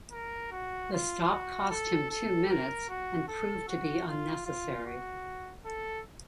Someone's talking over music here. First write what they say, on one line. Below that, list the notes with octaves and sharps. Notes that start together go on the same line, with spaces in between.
The stop cost him two minutes, and proved to be unnecessary.
A#4
F#4
F4
F#4
A4
A4
A#4
F#4
A4
F#4
F4
F4
F#4
A4